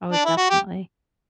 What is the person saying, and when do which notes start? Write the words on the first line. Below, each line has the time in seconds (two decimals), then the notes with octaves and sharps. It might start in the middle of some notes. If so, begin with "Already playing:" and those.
Oh, definitely.
0.12 D4
0.25 E4
0.37 F#4
0.50 G4